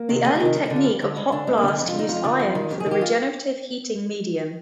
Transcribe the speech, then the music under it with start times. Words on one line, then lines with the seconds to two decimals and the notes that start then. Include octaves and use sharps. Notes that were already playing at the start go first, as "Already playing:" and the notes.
The early technique of hot blast used iron for the regenerative heating medium.
Already playing: A#3
0.09 C3 D#3
0.24 D2 G#4
0.35 C3 D#3 G4
0.45 D#4
0.56 G2 D4
0.66 D3 D#4
0.76 F4
0.86 G2
1.01 D3 G#3
1.16 G2 G#3
1.32 D3 D4
1.47 G2 G#3
1.58 A#3
1.63 D3
1.68 G#3
1.78 F2 G#3
1.88 F4
1.93 D3
1.99 D#4
2.09 F2 F4
2.24 D3
2.40 F2
2.55 D#3
2.70 F2 G4
2.80 G#4
2.86 D#3
2.91 G4
3.01 F4